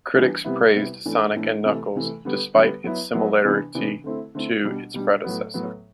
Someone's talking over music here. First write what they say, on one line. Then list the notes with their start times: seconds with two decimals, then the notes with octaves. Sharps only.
Critics praised "Sonic and Knuckles", despite its similarity to its predecessor.
0.15 E3 G3 B3 D4
0.44 C3 G3 B3 E4
0.75 C3 G3 B3 E4
1.06 A2 E3 A3 D4
1.35 A2 E3 A3 D4
1.65 C3 E3 A3
1.95 C3 E3 A3
2.25 D3 G3 B3
2.54 D3 G3 B3
2.84 F#3 B3 E4
3.14 F#3 B3 E4
3.45 C3 E3 B3 D4
3.75 C3 E3 B3 D4
4.04 D3 A3 C4 E4
4.35 D3 A3 C4 E4
4.65 B2 G3 D4
4.94 B2 G3 D4
5.24 A2 F#3 B3
5.54 A2 F#3 B3